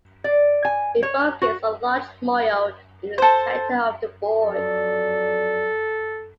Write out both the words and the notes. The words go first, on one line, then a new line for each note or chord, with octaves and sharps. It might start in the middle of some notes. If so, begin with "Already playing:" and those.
It focused on large moyo in the center of the board.
D5
G#5
C#5
F#4
A4 C5
F2 F#3 A4 D5